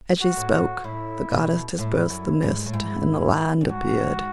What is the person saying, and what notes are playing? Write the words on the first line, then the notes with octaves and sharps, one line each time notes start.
As she spoke the goddess dispersed the mist and the land appeared.
F#4
A2
F#4
A2 E4
B2
A2 E4
F#2
G#2
A2
G#2 E4
F#2
G#2 F#4